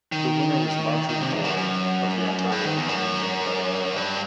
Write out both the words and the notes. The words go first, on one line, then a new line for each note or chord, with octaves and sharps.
The winner was Margery Ward of the Ontario New Democratic Party.
D#3
D#3
C3
E2
F#2
F#2
G2
D#3
E2
F#2
G2